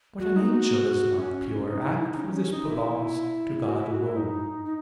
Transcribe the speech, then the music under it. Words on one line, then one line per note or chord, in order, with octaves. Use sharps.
But an angel is not pure act, for this belongs to God alone.
F#4
D#4
F#4
C#4
C#4
D#4
E4
D#4
C#4
C#4
D#4
E4
F#4
E4
F#4
E4
D#4
D#4